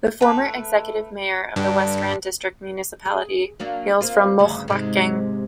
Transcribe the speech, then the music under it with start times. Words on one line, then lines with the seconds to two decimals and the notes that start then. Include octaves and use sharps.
The former Executive Mayor of The West Rand District Municipality hails from Mohlakeng.
0.21 A3 B4
1.56 G2 D3 G4
3.05 G#4
3.60 F#3 A#3 D4
4.01 A#3 C4 F4
4.39 D2 G2 C#3
4.68 G#2 C3 G#3